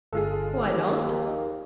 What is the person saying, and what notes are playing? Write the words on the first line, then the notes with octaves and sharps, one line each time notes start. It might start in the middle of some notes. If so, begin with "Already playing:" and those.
"Why not?"
G1 G#3 F4 G#4 A4
D#2 G4